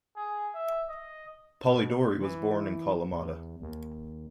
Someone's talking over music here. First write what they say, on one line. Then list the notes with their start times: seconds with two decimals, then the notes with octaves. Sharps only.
Polydouri was born in Kalamata.
0.16 G#4
0.54 E5
0.89 D#5
1.66 B2
2.21 E3
3.12 E2
3.61 D#2